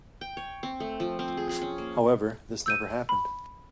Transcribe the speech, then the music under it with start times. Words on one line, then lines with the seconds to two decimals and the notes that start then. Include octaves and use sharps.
However, this never happened.
0.21 G5
0.37 C#5
0.63 C4
0.80 A3
1.00 F3
1.19 C4
1.37 G#4
1.49 G#4
1.61 C#4
1.78 A#3
2.66 E6 G6 D#7
3.09 B5